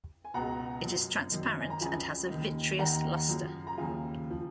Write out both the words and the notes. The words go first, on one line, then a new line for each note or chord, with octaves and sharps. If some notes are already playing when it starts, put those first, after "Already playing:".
It is transparent and has a vitreous luster.
G#5
C#2 B2 F#5 A#5
F#2 F3
F#2 D#3
G#5
A#5
C#2 C#3 F3 G#5 B5
D#2 D#3
D#2 D#3 F#5 A#5
F#2 C#3 F3
A#5
D#2 C#3 F3 F5 G#5
F3